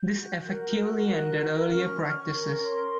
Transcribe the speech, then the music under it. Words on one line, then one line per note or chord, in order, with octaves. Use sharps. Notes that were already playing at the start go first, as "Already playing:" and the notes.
This effectively ended earlier practices.
Already playing: G6
F#4
A#4
F#4 F#6
A#4
F#4
C#4 F6
C#4
C#6
A#4
C#5 C6